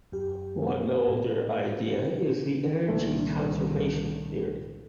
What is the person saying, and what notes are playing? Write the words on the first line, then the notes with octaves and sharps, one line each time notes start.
One older idea is the "energy conservation" theory.
F#2 G4
A2
C2 A#2 D#3 A3